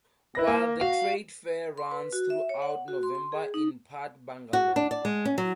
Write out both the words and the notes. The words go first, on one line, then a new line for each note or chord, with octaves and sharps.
While the trade fair runs throughout November in Part Bungalow.
E4 B4 A#6
A#3
F#4 F5
C6
B4
F#4
E5
C#5
F#5
F#4
C6
C6
G#4
D#4
F#4
D4
D5
G#3
C#4
F#3